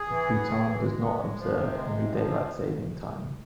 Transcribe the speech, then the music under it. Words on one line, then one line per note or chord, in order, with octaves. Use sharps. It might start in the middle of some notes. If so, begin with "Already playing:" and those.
Bhutan does not observe any Daylight saving time.
Already playing: G#4
E3
B3
A2
E3
G#3
B3
G#3
F3
C3
G#3
C3
F3
C3